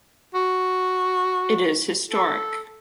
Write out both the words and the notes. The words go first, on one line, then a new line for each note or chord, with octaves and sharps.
It is historic.
F#4
A4